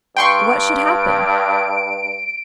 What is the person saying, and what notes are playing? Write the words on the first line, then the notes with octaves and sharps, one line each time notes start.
"What should happen?"
G2 G5 C6 C#6 D7